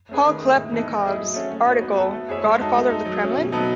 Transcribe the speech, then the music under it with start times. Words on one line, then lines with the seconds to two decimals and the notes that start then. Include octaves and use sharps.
Paul Klebnikov's article Godfather of the Kremlin?
0.09 A3 C#4 G#4 B4
0.25 D#3
0.40 A3 D#4 G#4
0.56 A2
0.72 E3 B3 D#4 A4
0.87 A3
1.03 E4 G#4 D#5
1.18 F#3
1.34 A3 C#4 F#4
1.51 A3
1.66 D#4 F#4 C#5
1.81 B3
1.97 F#4 A4
2.13 A3
2.28 E4 G#4 C#5 E5
2.44 G#3
2.60 D#4 F#4 A4
2.75 A3
2.90 D#4 A4
3.05 F#3
3.22 A3 C#4
3.37 B2
3.52 F#3 B3 D#4 A4